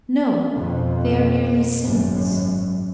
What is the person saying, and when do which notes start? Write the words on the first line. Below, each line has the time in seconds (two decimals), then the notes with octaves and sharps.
No, they are merely symbols.
0.56 F2 B2
1.82 G#1 F#2